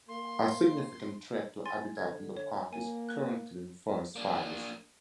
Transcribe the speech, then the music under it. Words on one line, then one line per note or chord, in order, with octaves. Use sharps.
A significant threat to habitat in the park is currently forest fires.
A#3 C6
G#5 C6 A6
D3 G#6
C#5
A#3 G#5
F#6
A#3 D4